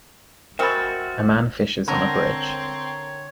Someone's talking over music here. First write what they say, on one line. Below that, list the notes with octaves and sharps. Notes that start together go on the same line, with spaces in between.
A man fishes on a bridge.
G#3 C4 F#4 A#4 E5 B5 F6 A6
D3 C4 A#4 C5 C#5